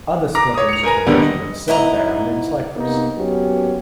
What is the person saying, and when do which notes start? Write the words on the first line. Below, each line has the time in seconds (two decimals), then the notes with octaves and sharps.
Other Squadrons of the regiment served there and in Cyprus.
0.35 A#5 D6 A#6
0.54 C#5 D#6
0.69 C#7 F7
0.83 A#4 B4 G#5 A#5
1.07 D#2 D3 G3 A#3 B3
1.22 D#5
1.68 G#2 E4 D#5 A#5
2.76 C3 A#3 B3 D#4
3.18 F#3 A#3 B3 C#4 F#4 G4